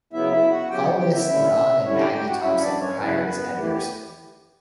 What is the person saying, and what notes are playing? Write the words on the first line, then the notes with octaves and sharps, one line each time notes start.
Columnists Don and Maggie Thompson were hired as editors.
C#3 F#3 B3 E4 E5
E4 E5
F#4 F#5
C#3 F#3 B3 G4 G5
G4 G5
E4 E5
D3 G3 C#4 E4
D3 G3 C#4 E4 C#5
G4 G5
G4 G5
F#4 F#5
C#3 F#3 C#4 E4 E5
D4 D5
C#4 C#5
C#3 F#3 B3 C#4 E4 B4
B3 B4
E3 A3 E4 G4